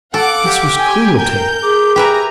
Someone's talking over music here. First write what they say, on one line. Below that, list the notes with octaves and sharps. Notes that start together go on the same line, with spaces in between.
This was cruelty.
A4 F5 F#5 D6
G4
G5 G#5
A#4 G5 G6
G#4 D6
G4 B4 E5 G#5 A#5